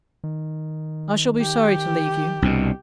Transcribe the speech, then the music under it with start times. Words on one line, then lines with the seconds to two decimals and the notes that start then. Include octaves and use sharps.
I shall be sorry to leave you.
0.24 D#3
1.41 G4
2.42 C2 B2 D4